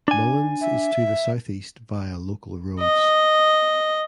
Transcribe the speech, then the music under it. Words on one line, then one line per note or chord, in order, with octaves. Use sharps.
Mullins is to the southeast via local roads.
D4 G#5
E5
D#5